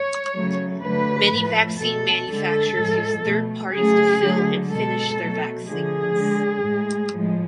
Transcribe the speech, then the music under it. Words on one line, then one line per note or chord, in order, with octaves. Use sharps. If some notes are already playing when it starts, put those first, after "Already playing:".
Many vaccine manufacturers use third parties to fill and finish their vaccines.
Already playing: C#5
C#3 F#3 A3
D3 F#3 A3 B4
A2 F3 A3
B2 A3 A4
D3 G#3 A4
A2 F3 G#3
B2 A3
C#3 F#3 A3 G#4
D3 F#3 A3
B2 G#3 A4
B2 F#3 A3
D3 F3 A3 G#4
D3 G#3
A2 G#3
A2 F3 G#3